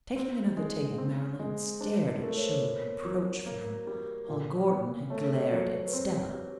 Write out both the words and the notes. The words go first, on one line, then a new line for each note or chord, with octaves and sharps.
Taking another table, Marilyn had stared at Shirley reproachfully while Gordon had glared at Stella.
C4 C5
G#3
C4
G#3
D4 C5
B4
A3 A#4
C#5
C5
B3 C5
F#3
A#3
G3
A#2
B3
A3 C#5
C#5
F#3 C5
B4
B4
C4 C5
G3